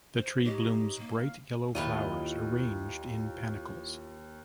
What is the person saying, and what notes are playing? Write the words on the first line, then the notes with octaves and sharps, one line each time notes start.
The tree blooms bright yellow flowers arranged in panicles.
C5
D#4 G4 C#5 D#5
A#3
F5
D#2 E4 F4 D#5